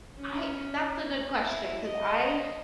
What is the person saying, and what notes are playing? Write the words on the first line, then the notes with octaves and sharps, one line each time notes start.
I that's a good question 'cause I
C#4
E4
D#5